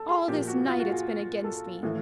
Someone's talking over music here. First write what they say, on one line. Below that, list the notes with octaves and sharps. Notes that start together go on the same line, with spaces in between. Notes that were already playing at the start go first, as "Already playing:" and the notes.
All this night it's been against me!
Already playing: A4
G#4
A#2 F3 G4
F#4
F4
F#4
G#4
A4
A2 E3